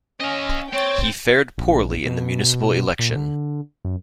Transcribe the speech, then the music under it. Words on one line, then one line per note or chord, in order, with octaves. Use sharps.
He fared poorly in the municipal election.
C#4 D#5 F5
C4 C#5 G5 A6
A#1
B2
A#2
D3
F#2